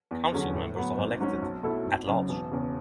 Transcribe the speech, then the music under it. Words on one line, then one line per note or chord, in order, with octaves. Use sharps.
Council members are elected at-large.
E2
D3 F#3 C#4 G#4
A2
F#3 B3
G#1
G#2 F#3 C#4
B1
B2 A3 E4 A4
G#1
F#2 C#3 F#3
E1
E2 C#3